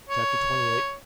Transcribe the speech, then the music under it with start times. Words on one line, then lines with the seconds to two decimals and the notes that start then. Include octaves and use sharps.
Chapter XXVIII.
0.09 C#5